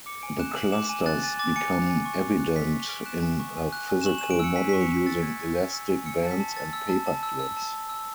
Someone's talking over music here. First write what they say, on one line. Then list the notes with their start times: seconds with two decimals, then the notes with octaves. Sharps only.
The clusters become evident in a physical model using elastic bands and paper clips.
0.06 D6 C#7
0.22 G#5 D7
0.39 F#6 E7
0.56 G#5 F#7
0.72 D6 E7
0.89 G#5 E7
1.06 F#6 A6
1.23 G#5 A6
1.39 D6 A6
1.56 G#5 C#7
1.72 F#6
1.90 G#5
2.06 C#6
2.23 G#5
2.40 F#6
2.56 G#5 B6
2.73 C#6
2.89 G#5 D7
3.06 F#6 E7
3.23 G#5
3.40 C#6
3.57 G#5
3.72 F#6
3.89 G#5
4.01 E7
4.06 C#6 F#7
4.18 G#5 E7
4.31 D7
4.39 E6 C#7
4.56 G#5 B6
4.69 C#6 B6
4.81 C#7
4.89 G#5 B6
5.06 E6 A6
5.22 G#5 G#6
5.39 C#6 A6
5.56 G#5
5.73 E6
5.90 G#5
6.06 E6 C#7
6.23 A5 A6
6.31 B6
6.40 A5
6.55 E6 A6
6.73 E6
6.89 A5
7.07 A5
7.23 E6
7.39 E6
7.57 A5
7.73 A5
7.89 E6